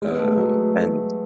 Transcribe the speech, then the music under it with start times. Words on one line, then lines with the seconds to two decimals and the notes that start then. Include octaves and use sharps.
Um, and
0.02 G#3
0.11 B3
0.19 A3
0.28 G#3
0.37 F#3